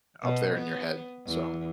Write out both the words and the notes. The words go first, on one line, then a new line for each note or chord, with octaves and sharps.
up there in your head. So,
B2
B3
E2